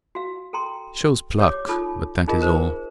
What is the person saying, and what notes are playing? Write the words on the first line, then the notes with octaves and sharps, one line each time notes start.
It shows pluck, but that is all.
F#4 F5
A4 G5 A#5 C6
G4 C#5 D6
D#4 F4 A4
D#4 F4 G#4 A#4 D#5 F5
G#4 A#4 C5